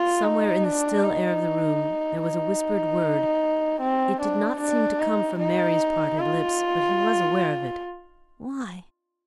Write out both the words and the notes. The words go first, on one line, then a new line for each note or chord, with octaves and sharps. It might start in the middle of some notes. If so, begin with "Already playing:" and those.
Somewhere in the still air of the room there was a whispered word; it did not seem to come from Mary's parted lips, but he was aware of it. "Why?"
Already playing: F4
D#4
D4
D#4
D#4
C4
D4
D4
D#4
D#4
F4